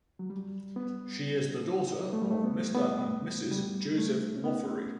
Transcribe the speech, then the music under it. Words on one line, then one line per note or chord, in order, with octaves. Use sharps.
She is the daughter of Mr. and Mrs. Joseph Loughery.
F#3
G3
B3
A3
G3
A3
B3
B3
G3
A3
C#4
B3